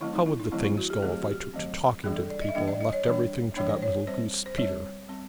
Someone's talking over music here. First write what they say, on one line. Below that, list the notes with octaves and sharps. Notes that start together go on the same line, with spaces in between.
How would the things go, if I took to talking to the people, and left everything to that little goose, Peter?
D#3 F#3 A3 C4 E4
D#4
E4
D#4
D#3 F#3 A3 C4 E4
E4
F#4
G4
D#3 F#3 A3 C4 G#4
G4
F#4
G4
D#3 F#3 A3 C4
E3 G3 A#3 D4 G#4
A4
D5
D#5
E5
E3 G3 A#3 D4 D#5
D5
D#5
C#5
E3 G3 A#3 D4 C#5
E3 G3 A#3 D4 C#5
C5
C#5
G3 C4 C5
C5
G3 C4 C#5
G3 C4